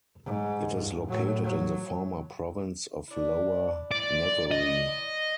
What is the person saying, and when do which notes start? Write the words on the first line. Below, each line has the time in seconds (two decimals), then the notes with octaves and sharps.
It is located in the former province of Lower Navarre.
0.25 G#2
0.76 G2
1.08 A2 F#3
1.44 F#3
3.08 D4 E4
3.91 E4 C5 D5
4.51 E3 D#5